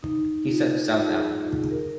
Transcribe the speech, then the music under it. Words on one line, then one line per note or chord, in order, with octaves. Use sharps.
He said, South Africa.
D#4
F4
G#4
A#4